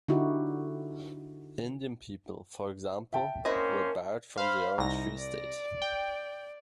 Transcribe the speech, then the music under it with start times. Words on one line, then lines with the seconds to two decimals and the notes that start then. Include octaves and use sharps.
Indian people, for example, were barred from the Orange Free State.
0.08 D3 D#4 E4 F#4 G4
3.13 E5 G5 A5
3.45 A#3 C4 C#4 E4 A#4 C5 D#5
4.38 C5 F5 B5
4.78 C2 D#4 A#6
5.18 D5
5.82 G5